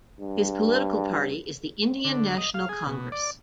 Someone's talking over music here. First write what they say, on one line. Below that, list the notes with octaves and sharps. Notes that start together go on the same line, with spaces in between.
His political party is the Indian National Congress.
G2
D3
D#5
F5
G#4
B2
D5